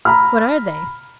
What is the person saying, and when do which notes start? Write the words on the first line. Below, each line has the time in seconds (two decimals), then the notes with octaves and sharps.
"What are they?"
0.05 A#5 B5 F6